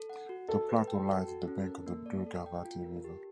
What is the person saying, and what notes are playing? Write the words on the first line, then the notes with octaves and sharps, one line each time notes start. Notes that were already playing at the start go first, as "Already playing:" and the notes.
The plateau lies at the bank of the Durgavati River.
Already playing: A4
F#5
F#4
A4 D#5
B4
G5
F#4
F#4
C#4
A#4
A#3
D5
A4
G5
F4
A#4
G4